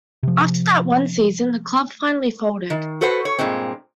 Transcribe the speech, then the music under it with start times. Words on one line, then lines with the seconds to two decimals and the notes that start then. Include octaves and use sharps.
After that one season, the club finally folded.
0.23 C3 F3
2.70 D#3
3.01 F#4 A4 B4 C5 F#5
3.25 C#5
3.39 G2 A#2 G#3 C4